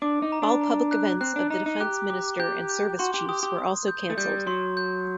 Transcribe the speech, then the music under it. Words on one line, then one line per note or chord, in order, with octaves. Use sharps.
All public events of the Defence Minister and Service Chiefs were also cancelled.
D4 D6
D#4
A#5
D4
A#5
F#6
C4 F#6
D4
D#4 A#5
D#4
G4 F#6
D6
G4 G6
G6
F#4 C6
G4
G4 D#6
G4
D#6
G6
A3
G3 G6
F#3 C6
G6